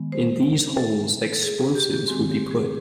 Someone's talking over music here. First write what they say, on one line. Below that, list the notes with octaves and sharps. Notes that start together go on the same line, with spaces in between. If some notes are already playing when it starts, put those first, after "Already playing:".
In these holes explosives would be put.
Already playing: D#3 G#3 B3
C5
A4
A4
G#4
G#4
G4
G4
D#3 G#3 C4 F#4
G4
G#4